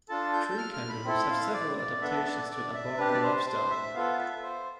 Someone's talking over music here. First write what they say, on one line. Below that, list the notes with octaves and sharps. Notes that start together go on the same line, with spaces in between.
Tree-kangaroos have several adaptations to an arboreal life-style.
D4 F4 A4 A5
G6
G6
F6
F6
B5
C4 E4 A4
F5
D5
D5
B3 D4 A4 E5
D5
D5
E5
D4 G4 B4
D5
C5
C5
E5
B3 F4 A4 F5
E5
C5